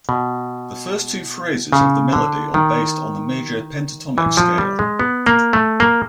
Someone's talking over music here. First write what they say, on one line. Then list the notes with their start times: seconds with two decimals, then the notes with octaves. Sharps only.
The first two phrases of the melody are based on the major pentatonic scale.
0.09 B2
1.73 C#3
2.13 D3
2.54 D#3
4.18 E3
4.37 F3
4.58 G3
4.79 G#3
4.99 B3
5.26 A#3
5.53 A3
5.80 A#3